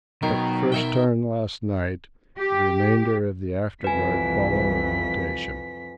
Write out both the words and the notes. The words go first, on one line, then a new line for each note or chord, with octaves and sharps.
I took the first turn last night; the remainder of the afterguard follow in rotation.
B2 D#3 F#3 A#4
A#4 E5 G5
G4
C2 F2 E3 G3 B4 G#5 B6